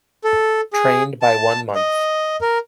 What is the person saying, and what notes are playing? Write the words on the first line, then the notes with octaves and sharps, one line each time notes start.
Trained by one month.
A4
G#4
A5
D#5
A#4